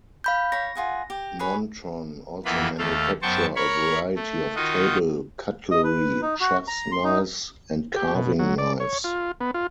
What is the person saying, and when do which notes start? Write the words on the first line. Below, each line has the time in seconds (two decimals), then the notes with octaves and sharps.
Nontron also manufacture a variety of table cutlery, chefs knives, and carving knives.
0.24 F5 B5 G6
0.52 C#5 B5 A#6
0.75 F4 G#4 F#5
1.10 G4
1.39 G#4 B4 C#5
2.45 F2 E3 A#3 B3 F4 B5
2.78 D#2 A3 A4 F5
3.22 F#2 B3 C5 G5 A5 C#6
3.56 A#4 C#5 B5 C#6
4.16 A3
4.56 D#3 D#4 F4 F#4 D#5
5.71 D#5
5.84 B4
6.22 D#4
6.41 F#4
6.68 A#5
6.92 C6
7.04 D#4
7.96 G4
8.15 B2
8.39 F#3
8.58 D5
8.80 C#5
9.04 F4
9.41 B3
9.54 F4